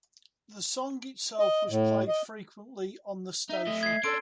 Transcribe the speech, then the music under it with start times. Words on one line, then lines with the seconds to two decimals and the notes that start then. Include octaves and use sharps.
The song itself was played frequently on the station.
1.39 D#5
1.70 A2
2.08 D#5
3.50 D#4 E5
3.67 A3 D#5
3.83 G#6 C7
4.04 C#4 D4 A4 C6 D7